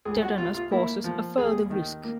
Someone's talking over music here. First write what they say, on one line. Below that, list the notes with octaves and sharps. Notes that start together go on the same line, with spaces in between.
Tetanus poses a further risk.
C#2 G#4
F#4
C3 F4
F4
A#3 E4
F3
D#2 G#4
D#3
A#3